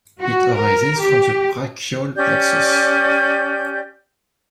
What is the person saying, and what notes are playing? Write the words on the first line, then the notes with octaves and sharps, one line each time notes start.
It arises from the brachial plexus.
F#4
A#4
G4
C#4 G4 D5 G6